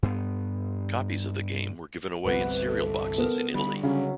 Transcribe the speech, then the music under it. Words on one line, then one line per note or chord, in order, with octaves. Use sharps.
Copies of the game were given away in cereal boxes in Italy.
G2 B3
G1 C2 C3 B3 B4
A4
B3 A#4
D3 G3 B5
C#3 F#3 C#4